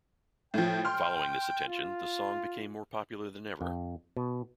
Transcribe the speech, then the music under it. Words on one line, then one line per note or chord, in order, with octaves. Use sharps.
Following this attention, the song became more popular than ever.
A2 F3 G5
C6 F6
F4
F2
B2